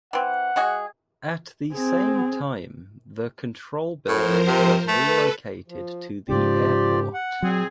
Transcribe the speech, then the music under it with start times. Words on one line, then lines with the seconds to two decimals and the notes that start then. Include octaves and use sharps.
At the same time the control building was relocated to the airport.
0.13 E3 C4 F#5
0.56 G#3 F#4 G#4
1.73 C4 G#4
4.08 A2 F3 A#4 C5
4.47 C3
4.88 A3 A4 B4
5.68 F3
6.29 G#2 C#3 F3 F4 G4 D5
7.14 F#5
7.43 A#2 F#3 C4 G#4